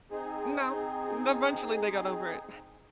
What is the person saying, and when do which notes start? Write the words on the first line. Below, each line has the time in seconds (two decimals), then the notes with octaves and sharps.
No, eventually they got over it.
0.11 C4 D#4 G#4